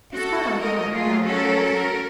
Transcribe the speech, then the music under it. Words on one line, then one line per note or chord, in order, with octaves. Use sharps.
'Tis heart on heart thou rulest.
F#4 A4
A#4 D#5
A3 A#3 F4 G#4
C#4 F#4 A4 A#4
A#4